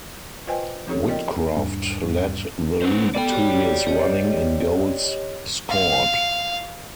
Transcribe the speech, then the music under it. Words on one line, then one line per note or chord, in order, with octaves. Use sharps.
Whitcroft led the league two years running in goals scored.
F4 B4 C5 D#5 G5 G#5
F3 C4 D#4 G4 A4 C#5
F4 A#4 D5 D#5 G5
E2 G#2 G3 D4
C#4 B4 C5
B3 A4 D5 G5
F#4 G4 C#5
G4 C#5 D#5
F5